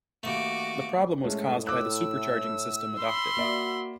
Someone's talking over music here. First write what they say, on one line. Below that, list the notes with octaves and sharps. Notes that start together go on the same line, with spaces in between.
The problem was caused by the supercharging system adopted.
D#2 A3 F#4 D6
A2 G#3 A3 C#4
D6 E6 F#6
B5 C6
A#3 F#4 D5 E5